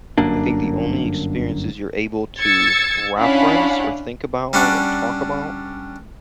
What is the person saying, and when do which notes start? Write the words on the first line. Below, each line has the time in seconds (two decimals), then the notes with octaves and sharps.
I think the only experiences you're able to reference or think about or talk about
0.18 G1 F#2 A#3 D4
2.39 E6 G#6 A6 C#7
3.17 C#4 D4 E4 F5 F#5 B5
4.53 G3 C#4 D4 F#5